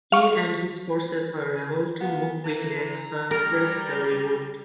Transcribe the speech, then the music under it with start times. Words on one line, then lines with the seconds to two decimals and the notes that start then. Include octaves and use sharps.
He and his forces were able to move quickly and suppress the revolt.
0.12 F5 C#6
2.00 A#3 B3
2.44 E3 A#5
3.31 G3 A#4